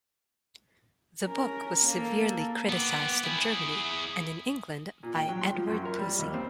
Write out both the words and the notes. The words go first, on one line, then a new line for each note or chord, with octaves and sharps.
The book was severely criticized in Germany, and in England by Edward Pusey.
C#4 A#4
A#3 A4
B3 G4
E4 G#4
A#2
G5
F#3
C6
F3
F#2
A#4
G3
D#2
C4